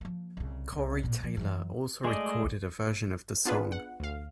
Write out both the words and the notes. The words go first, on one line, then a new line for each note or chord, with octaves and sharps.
Corey Taylor also recorded a version of the song.
F3 A#3
C2 C#3
C2
A1 A#2
F3 F#3
F#2 E3
G#3 A3 D5 D#5
B3 D4 F4 G#4 B4
F#5
D2 F5